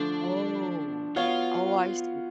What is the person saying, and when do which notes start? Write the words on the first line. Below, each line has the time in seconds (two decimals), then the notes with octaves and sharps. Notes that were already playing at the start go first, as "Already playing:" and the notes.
Oh. Oh, I see.
Already playing: D3 F3 A3 D4
1.16 B3 F4 F#4 C#5 F5